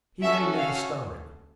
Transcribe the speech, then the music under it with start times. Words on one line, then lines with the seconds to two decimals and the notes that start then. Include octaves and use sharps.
He may never star in them.
0.22 C#4 F#4 A4 E5
0.58 F5